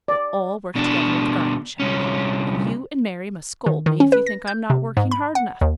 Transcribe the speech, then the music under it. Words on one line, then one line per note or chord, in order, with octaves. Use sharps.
We'll all work together in the garden, shall we, and you and Mary must scold me if you think I'm not working hard enough.
D5
B2 D4
C2 C#4
D#3
D#3
C#4
B4
A#6
G6
C3
G#2
B5
F#5
D#2